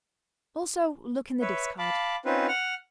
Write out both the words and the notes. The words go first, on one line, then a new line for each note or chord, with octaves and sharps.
Also look in the discard.
B4 C#5 E5
F5 A5 B5 D6
C4 C#4 D#4 F4 B4 C5
F#5 F6